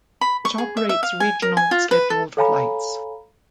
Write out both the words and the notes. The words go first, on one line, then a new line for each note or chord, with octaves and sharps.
It operates regional scheduled flights.
B5
C#6
G#4
E5
E5
F5
G#5
A#4
G#5
F4
B4
A4
A4 C#5 F5 G#5 A#5 B5